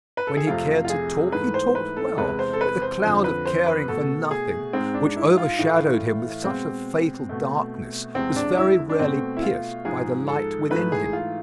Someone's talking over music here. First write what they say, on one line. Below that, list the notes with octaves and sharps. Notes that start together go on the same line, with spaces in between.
When he cared to talk, he talked well; but, the cloud of caring for nothing, which overshadowed him with such a fatal darkness, was very rarely pierced by the light within him.
B4
A4
G#4
F2 C3 F3 A3 F4
F4
G#4
G#2 E3 A3 B4
C5
B4
A4
E2 C3 G#3 B4
C5
A4
B4
C5
F2 D3 F3 C5
B4
C5
B4
B2 A3 A4
G#4
G#2 G#3 C4
D4
E4
F4
A2 E3 A3
B2 G#3 C4
B2 A3
E2 C3 G#3 C4
D4
E4
D4
B2 A3 C4
E4
F4
G#2 F3 G#3 G#4
A4
G#2 E3 A3 B4
G#4
F4